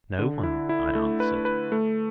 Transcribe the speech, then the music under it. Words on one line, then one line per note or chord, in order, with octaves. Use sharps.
"No one," I answered.
D3
E4
E4
A3
B4
B4
A3